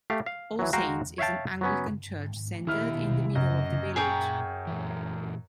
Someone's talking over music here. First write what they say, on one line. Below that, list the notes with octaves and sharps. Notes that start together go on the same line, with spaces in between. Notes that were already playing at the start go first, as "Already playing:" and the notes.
All Saints' is an Anglican church centred in the middle of the village.
A3 G4 F5
F5
E3 F#3
G#3 F#4 F5 G5 A#5
C#5 E5 F5 G5 A5
F#3 B3 C#4
D#3 E4 G4 F6
F#2 D#5
A#2 G#4 C#5 G5 A#5
A#2 E3